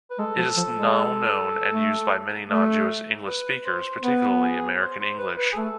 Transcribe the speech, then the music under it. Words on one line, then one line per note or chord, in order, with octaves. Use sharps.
It is now known and used by many non-Jewish English speakers, particularly American English.
B4
G#3 A4
F3
F3
G#3
A3
A3
B4
C5
B3 B4
G#4
C5
C5
B4
B4
G#4
A3 A4